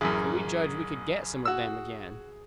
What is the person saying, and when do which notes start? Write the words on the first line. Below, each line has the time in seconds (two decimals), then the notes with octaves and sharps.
So we judged we could get some of them again.
0.01 A1 F#2 G#4
1.45 F#4 E6